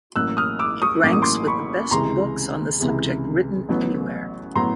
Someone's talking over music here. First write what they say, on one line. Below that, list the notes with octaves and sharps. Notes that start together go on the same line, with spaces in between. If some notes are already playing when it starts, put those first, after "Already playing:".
It ranks with the best books on the subject written anywhere.
A1 A2 F#3 A#3 E6 F#6
D#6 F6
D6 E6
C#6 D#6
A1 A2 F#3 A#3 D6
D#6
C6 D6
B5 C#6
C#2 C3 E3 G#3 A#5 C6
C#2 C3 E3 G#3
A1 A2 F#3 B3
A2 F#3 B3 A#5 C6